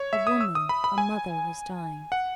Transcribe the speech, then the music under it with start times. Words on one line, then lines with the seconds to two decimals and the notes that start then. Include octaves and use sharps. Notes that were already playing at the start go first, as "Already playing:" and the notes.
A woman, a mother, was dying.
Already playing: C#5
0.13 E5
0.27 D#6
0.41 E6
0.55 D#6
0.69 B5
0.84 B5
0.98 G#5
2.12 F#5